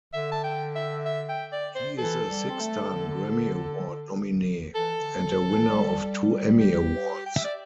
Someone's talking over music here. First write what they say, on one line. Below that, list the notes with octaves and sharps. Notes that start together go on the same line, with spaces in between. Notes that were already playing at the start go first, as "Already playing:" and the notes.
He is a six-time Grammy Award nominee, and a winner of two Emmy Awards.
D3 E5
A5
G5
E5
E5
G5
D5
C5
E3 A4
G3
C4
A3
D3
E3 A4
D3
D3
E3
G3
G4
G5
E5
D5